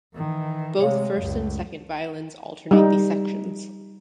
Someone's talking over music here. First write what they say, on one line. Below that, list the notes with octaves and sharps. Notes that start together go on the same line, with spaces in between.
Both first and second violins alternate these sections.
D#3 E3
C3 G#3 C#5 F5
C#2 F#2
G3 D#4